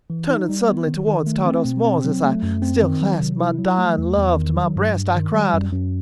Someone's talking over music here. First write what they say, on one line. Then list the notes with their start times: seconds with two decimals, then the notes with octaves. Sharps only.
Turning suddenly toward Tardos Mors as I still clasped my dying love to my breast I cried.
0.10 E3
0.30 D#4
0.49 G3
0.68 B3
0.87 D#3
1.07 D#3
1.27 A3
1.46 C4
1.65 B2
1.85 C4
2.04 F#3
2.24 A3
2.43 F#2
2.62 C4
2.82 D#3
3.01 F#3
3.20 C3
3.40 E4
3.59 F#3
3.78 A3
3.98 E2
4.17 E2
4.37 D#3
4.56 F#3
4.76 G2
4.95 G2
5.15 D#3
5.34 G3
5.54 F#2
5.72 F#2